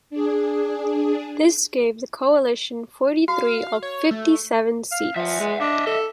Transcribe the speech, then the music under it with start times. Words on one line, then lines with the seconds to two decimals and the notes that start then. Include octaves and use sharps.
This gave the coalition forty-three of fifty-seven seats.
0.10 D4 G#4
3.28 F#4 F5
3.83 C#5
4.11 A3
4.92 F5
5.16 F3 E5 F#5
5.40 G#3
5.60 D4 D#5 E5
5.87 A4